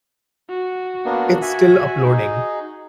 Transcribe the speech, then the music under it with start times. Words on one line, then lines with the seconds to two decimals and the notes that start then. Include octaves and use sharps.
It’s still uploading.
0.49 F#4
1.05 A#3 B3 D4
1.42 E5 G#5
2.04 D#4 G#4